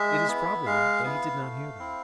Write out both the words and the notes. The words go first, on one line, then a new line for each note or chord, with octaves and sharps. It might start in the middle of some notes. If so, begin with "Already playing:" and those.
It is probable that he did not hear them.
Already playing: G#3 E5
B3 E4
G#3 F5
B3 E4
A3
C4 E4